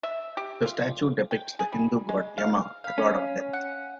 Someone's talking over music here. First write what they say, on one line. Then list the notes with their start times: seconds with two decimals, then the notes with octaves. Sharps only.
The statue depicts the Hindu god Yama, the god of death.
0.03 E5
0.37 G4
0.66 F4
1.31 G5
1.59 G#4
1.72 G3
2.09 G#3
2.38 F5
2.84 F5 B5
2.98 C#4
3.53 F#5